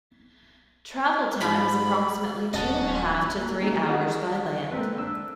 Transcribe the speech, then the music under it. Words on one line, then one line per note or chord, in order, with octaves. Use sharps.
Travel time is approximately two and a half to three hours by land.
G#2 B5
D1 C#4 F#4 D#5 A5
A#3
G3 A#3 C#4 D#4
D4 F#4 G#4 D5
A3 A#3 C4 B4
D4 E6